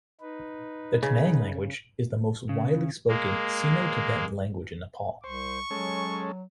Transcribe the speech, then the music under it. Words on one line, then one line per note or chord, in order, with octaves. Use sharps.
The Tamang language is the most widely spoken Sino-Tibetan language in Nepal.
D#4 B4
C#3
C#3
G#3 A#3
C2 C5 C#6
F#3 G#3 C#4 A4